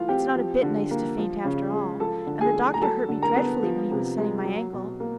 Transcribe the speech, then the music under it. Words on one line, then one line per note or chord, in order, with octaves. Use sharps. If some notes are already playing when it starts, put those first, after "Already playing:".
It's not a bit nice to faint, after all. And the doctor hurt me dreadfully when he was setting my ankle.
Already playing: E3 A3 F4 F5
C4 G4 G5
F3
D3
A#3
F3
C#3
G#3
F3 A4 A5
D3
G#4 G#5
A3
A#5
F#3 A4 A5
D3
A#4 A#5
B3
F3
C3
G#3
F#3
B2
A#3